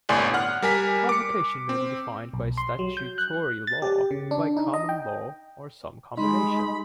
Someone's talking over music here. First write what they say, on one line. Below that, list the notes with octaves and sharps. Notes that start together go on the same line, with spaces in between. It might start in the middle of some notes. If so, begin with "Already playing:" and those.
Provocation may be defined by statutory law, by common law, or some combination.
G1 C2 A2 D5 G#5 C6
F#5 F6 F#6
G3 A#4 G#5 B6
D6 C#7
C4
B1
C6
F#3
G6
F#6
A6
G4
C#3
D4
D#4
D#5
G5
G3 G#3 D#4 B5 C6